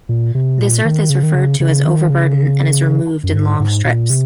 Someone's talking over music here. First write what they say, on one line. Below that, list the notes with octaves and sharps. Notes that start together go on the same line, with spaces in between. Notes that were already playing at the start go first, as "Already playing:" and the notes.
This earth is referred to as overburden and is removed in long strips.
A#2
C3
A#2
D#3
C#3
D#3
C#3
C#3
D#3
C#3
F#2
G#2
G#2
A#2
C3